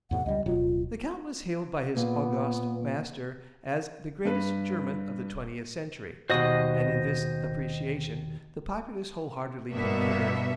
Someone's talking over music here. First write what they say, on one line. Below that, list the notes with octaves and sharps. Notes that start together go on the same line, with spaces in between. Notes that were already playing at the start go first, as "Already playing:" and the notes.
The Count was hailed by his august master as "The greatest German of the twentieth century," and in this appreciation the populace wholeheartedly concurred.
E2 A2 C3 F#5
C#2 G3 D#5
D1 B2 F#3 F4
A#2 B3
G2 B4
D#2 B2 F#4 C5 D#5 D#6
G2 B2 A#3 B3 E5